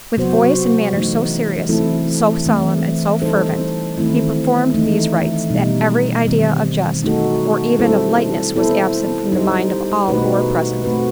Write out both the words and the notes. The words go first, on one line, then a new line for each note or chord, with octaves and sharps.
With voice and manners so serious, so solemn and so fervent, he performed these rites, that every idea of jest, or even of lightness, was absent from the mind of all who were present.
C3 F#3 B3 F#4 C5
E3 A3 D#4
E3 A3 C4 E4 A4
E3 A3 C4
G3 D#4 A4 C5
D#3 A3 C4 E4
E3 A3 D#4
B2 G3 D#4
D#3 G3 C4
A3 D#4 F#4 A4
G3 C4 E4 A4 C5
B3 E4 A4 C5
G3 D#4 G4 C5
B2 A3 D#4 F#4 B4
A3 C4 F#4 B4